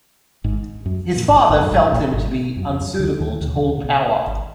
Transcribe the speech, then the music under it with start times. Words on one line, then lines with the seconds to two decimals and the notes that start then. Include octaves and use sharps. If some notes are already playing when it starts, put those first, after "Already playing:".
His father felt him to be unsuitable to hold power.
0.44 G#1 G#2
0.86 F#2
1.16 A#2
1.28 G#1 G#2
1.49 G#1 G#2
1.62 F#2
1.71 G#1 G#2
1.88 B2
1.92 A#1 A#2
2.13 G#1 G#2
2.56 F#2
2.69 F2
2.80 F#2
2.99 D2 D3
3.20 D#2 D#3
3.41 D#2 D#3
3.56 D#3
3.62 D2 D3
3.77 A#2
3.84 B1 B2
4.26 G#1 G#2